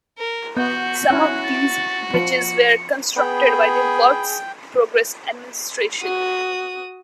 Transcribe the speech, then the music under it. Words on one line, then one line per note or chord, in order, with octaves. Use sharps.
Some of these bridges were constructed by the Works Progress Administration.
A#4
B3 F#4 G6
C#4 E4 F#6
A6
F3 C#7
B3 G#4 G5 B5
F#4 D#6